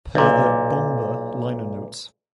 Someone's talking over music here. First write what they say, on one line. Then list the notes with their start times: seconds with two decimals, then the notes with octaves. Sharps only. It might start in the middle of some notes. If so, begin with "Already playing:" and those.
Per the "Bomber" liner notes.
0.15 B1 A#2